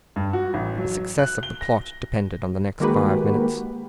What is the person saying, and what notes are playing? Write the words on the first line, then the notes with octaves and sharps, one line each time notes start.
The success of the plot depended on the next five minutes.
G2
F#4
A1
F#3
F#6
G7
A#6
D#3 G#3 A#3 F#4 G4 B4